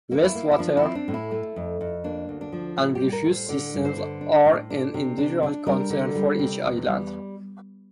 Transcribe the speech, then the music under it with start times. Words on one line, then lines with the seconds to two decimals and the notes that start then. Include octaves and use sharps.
Waste water and refuse systems are an individual concern for each island.
0.12 A#3
0.23 E4
0.35 A#3
0.52 E4
0.59 F3 D4
0.77 E4
0.83 C4
0.95 D4
1.08 A2
1.14 E4
1.31 A3
1.56 F2
1.81 F2
2.04 A#3 D4
2.29 D2
2.41 D4
2.52 F3
2.77 A2 E4
2.95 G4
3.01 G3
3.12 A#4
3.24 A2
3.31 C5
3.49 D3 D5
3.73 G2
3.85 C5
3.97 D3
4.21 D4
4.45 A2
4.70 D4
4.94 C3
5.18 D4
5.43 D4
5.67 G3 A#4
5.90 D3
6.15 G3
6.39 C3
6.63 E2
6.87 G3